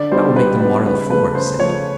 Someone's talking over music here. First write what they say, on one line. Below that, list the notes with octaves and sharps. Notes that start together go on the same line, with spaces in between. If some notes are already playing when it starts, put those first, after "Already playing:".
"I will make them water the floor," said he.
Already playing: D3 D5
G3 B3 D#4 C5
D3 B4
G3 B3 D#4 B4
C#3 B4
F3 A3 B4
C#3 C5
F3 A3 C#5